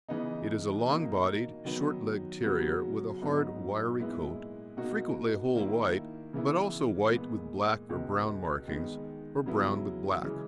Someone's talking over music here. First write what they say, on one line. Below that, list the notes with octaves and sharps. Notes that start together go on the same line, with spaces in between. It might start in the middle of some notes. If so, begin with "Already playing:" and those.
It is a long-bodied, short-legged terrier, with a hard, wiry coat, frequently whole white, but also white with black or brown markings or brown with black.
C#3 E3 B3 D#4
B2 A#3 D#4
D#3 F#3 B3
C#3 F#3 B3 F#4
G#2 F#3 B3 D#4
A#2 G#3 B3 E4
B2 A#3 D#4 F#4
D#3 A#3 E4
C#3 E3 B3 E4
A#2 G#3 B3
C#2 B2 G#3
D#3 G#3 B3
C#3 F#3 B3 E4
C#3 E3 G#3